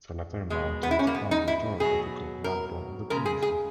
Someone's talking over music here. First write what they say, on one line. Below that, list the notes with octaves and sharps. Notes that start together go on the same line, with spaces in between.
The Lattari Mountains form the geographical backbone of the peninsula.
B2 G#3
B3
E4
C#4
A#3
B3
D#4
E4
B2 F#3 G#4
A#4
C#3 G#3 A#4
G#4
G#4